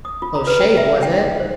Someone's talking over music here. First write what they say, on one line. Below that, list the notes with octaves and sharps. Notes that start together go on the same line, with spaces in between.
"A close shave, was it?"
D#6
F4
A#5
B4
G5
E5
G5
D#4
C5